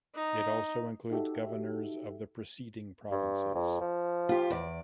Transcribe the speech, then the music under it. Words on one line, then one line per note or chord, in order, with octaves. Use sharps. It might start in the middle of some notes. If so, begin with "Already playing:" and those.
It also includes governors of the preceding provinces.
D#4
D#4 F#4 G4 A4 E5
G2
F2
F3
F4 G4
E2 D5